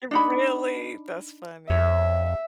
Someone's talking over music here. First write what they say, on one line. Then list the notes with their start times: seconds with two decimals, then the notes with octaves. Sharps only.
Really? That's funny.
0.11 D4 D#4 B5
1.70 F2 C#5 E5